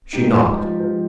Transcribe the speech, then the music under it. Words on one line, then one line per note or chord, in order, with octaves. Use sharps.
She knocked.
G#2 D#4 G4
F3
F3
F3